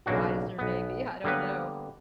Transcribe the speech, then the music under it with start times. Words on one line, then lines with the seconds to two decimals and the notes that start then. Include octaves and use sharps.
wiser, maybe, I don't know
0.06 B1 C#3 F#3 A#3 D4 F#4
0.58 B1 B3
1.24 D3 G3 A#3 B3 B4